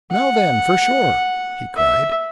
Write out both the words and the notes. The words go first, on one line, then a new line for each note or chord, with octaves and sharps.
"Now, then, for shore," he cried.
F#5
E5